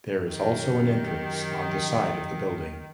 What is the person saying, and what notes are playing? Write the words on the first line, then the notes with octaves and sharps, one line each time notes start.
There is also an entrance on the side of the building.
F#2 D#3 G4